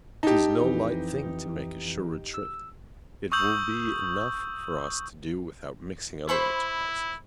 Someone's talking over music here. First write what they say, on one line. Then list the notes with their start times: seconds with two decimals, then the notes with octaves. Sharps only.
'Tis no light thing to make a sure retreat; it will be enough for us to do without mixing other enterprises.
0.23 D#4 G4 A5
0.60 F2 E3
2.34 E6
3.32 C#6 D#6 E6 G6 F#7
6.29 E4 C5 B5 C#6